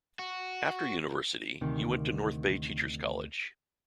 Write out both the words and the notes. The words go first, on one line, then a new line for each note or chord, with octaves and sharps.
After university, he went to North Bay Teacher's College.
F#4
D2 C3 D#3